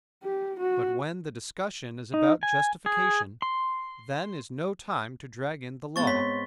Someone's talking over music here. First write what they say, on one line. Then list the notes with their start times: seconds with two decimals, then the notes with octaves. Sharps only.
But when the discussion is about justification, then is no time to drag in the Law.
0.23 G4
0.60 F#4
2.14 D#4
2.43 G#5
2.86 G#4
3.42 C6
5.96 G#2 B3 C4 C#6 A6 G7
6.07 C#5 B6